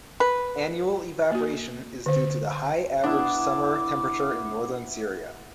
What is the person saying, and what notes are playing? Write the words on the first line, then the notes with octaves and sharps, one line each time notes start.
Annual evaporation is due to the high average summer temperature in northern Syria.
B4
A#3 F#4
D3 C5
B3 D4 E4 D6